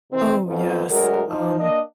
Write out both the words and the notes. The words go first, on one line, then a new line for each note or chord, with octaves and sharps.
Oh, yes, um,
C3 D#3 E3 C4
F2 G#2 F3 B3 C4
D2 F#3 G#3 A#4
F3 D#4
A#3 D4 D#5